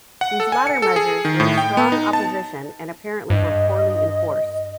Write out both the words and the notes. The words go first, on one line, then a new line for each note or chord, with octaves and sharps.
These latter measures raised strong opposition and apparently were poorly enforced.
F#5
A4
G#5
C#7
A4
G#4
D#3
A2
G5
B3
D#4
A5
G2 D#5